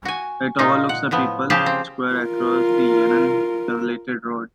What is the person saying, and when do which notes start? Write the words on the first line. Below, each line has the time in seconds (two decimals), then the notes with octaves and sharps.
It overlooks the People's Square across the Yan'an Elevated Road.
0.05 F#4 G#5
0.59 A#2 D#4 F4
0.89 F#5
1.11 A2 F3 B3
1.50 C#3 F3 G4 G#4 F5 A5
1.66 C4
2.14 F4 A#4